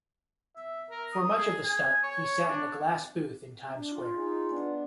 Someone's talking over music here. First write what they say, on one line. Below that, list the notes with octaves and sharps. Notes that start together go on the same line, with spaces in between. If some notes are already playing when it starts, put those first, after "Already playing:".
For much of the stunt, he sat in a glass booth in Times Square.
E5
A#4
D#6
G#4
G#5
C#5
D4
D4
F4
D#4 G#4
B3 D4